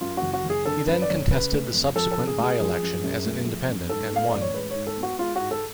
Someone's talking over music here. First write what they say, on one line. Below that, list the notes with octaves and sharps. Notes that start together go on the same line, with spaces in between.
He then contested the subsequent by-election as an independent, and won.
F#2 F4
F#1 F#4
F#4
F#1
G#4
D3 A4
F#2 B4
D5
F#1 C#5
C#3 B4
A3
F2
F3 A4
A4
C#3
G#4
A3 G#4
F3 G#4
F#2
F#2
A3
F3
F#2
G#2 A4
B3
F5
A1 D5
C#5
G#3 B4
C#5
G#2
A4
B3
F#4
G#3 F4
G#2 F#4
A4